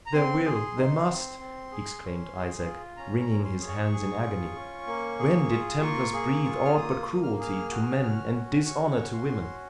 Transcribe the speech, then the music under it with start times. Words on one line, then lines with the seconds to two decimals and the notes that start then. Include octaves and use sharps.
"There will, there must!" exclaimed Isaac, wringing his hands in agony; "when did Templars breathe aught but cruelty to men, and dishonour to women!"
0.06 A#5
0.13 C4 C6
0.45 G#4
0.77 D#4
1.09 C4
1.39 C4
1.72 G#4
2.03 C#4
2.35 G#4
2.66 F4
2.97 C#4 A#5
3.21 A#5
3.29 C#4
3.44 C6
3.61 G#4
3.69 C#6
3.92 G#4
4.24 F4
4.56 C#4
4.87 A#3
5.19 G#4
5.50 F4
5.82 A#3 C#6
6.13 G#4
6.45 F4
6.65 F6
6.77 A#3 D#6
7.08 A#3
7.23 F6
7.39 G#4 F6
7.70 F#4 F6
8.02 C#4 F6
8.34 F#4
8.66 C#4 C#6
8.97 F#4
9.13 C6
9.29 C#4